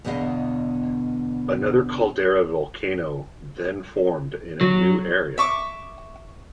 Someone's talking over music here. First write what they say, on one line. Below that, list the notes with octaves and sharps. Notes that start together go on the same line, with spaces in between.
Another caldera volcano then formed in a new area.
E2 B2 D3 B3 D#5 F5
F#3
E5 C#6 D6